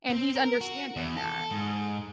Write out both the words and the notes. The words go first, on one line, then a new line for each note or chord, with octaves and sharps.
And he's understanding that.
C4
A#4
F#4
E2
A4
G#2